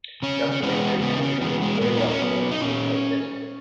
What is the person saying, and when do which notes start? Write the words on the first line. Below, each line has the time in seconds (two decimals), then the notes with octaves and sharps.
Documentary translators very often have to meet tight deadlines.
0.22 C#3 C#4
0.51 C#4
0.63 E3 G#3 B3
1.02 C#3 B3
1.17 D#4
1.23 C#4
1.41 E3 G#3 B3
1.62 G#3
1.75 A#3
1.81 A#2 B3
1.97 D#4
2.10 C#4
2.22 F#3 B3
2.51 D#4
2.61 A#2 C#4